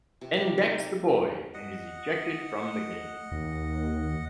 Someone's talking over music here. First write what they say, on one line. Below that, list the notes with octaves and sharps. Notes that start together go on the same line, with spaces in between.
Ben decks the boy and is ejected from the game.
C3
G4
D#4
D#5 F#5
D#2